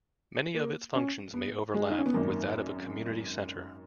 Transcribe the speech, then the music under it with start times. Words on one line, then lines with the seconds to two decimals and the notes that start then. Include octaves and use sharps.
Many of its functions may overlap with that of a community centre.
0.54 A#3
0.95 C#4
1.34 B3
1.74 G#3
1.90 D#4
1.98 C#4
2.06 B3
2.14 G#1 F#2 D#3 A#3